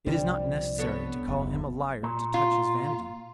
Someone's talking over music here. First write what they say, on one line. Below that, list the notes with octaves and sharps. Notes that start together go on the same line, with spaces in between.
It is not necessary to call him a liar to touch his vanity.
C2 F3 G3 D4
B3 A4 C#5
F#1 D#2
A#2
F4